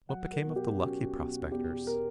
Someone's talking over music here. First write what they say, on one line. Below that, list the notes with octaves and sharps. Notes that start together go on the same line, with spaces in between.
What became of the lucky prospectors?
F#3 F#5
A#4
B2
G4
C#4 F#4
B2
E2 G4
A#4